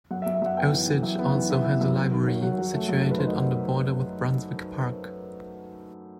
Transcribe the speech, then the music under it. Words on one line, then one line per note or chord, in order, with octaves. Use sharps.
Osidge also has a library, situated on the border with Brunswick Park.
F#2 F#5
E5
F#2
E5
F#2 F#5
B3 G5
E3
E3
F#2
B3
E3
E3 E5
B3
F#2
F#2
D#3
F#3
F#3 F#5
F#3
A3
F#2
D#3
B4
D#3 C5
D#5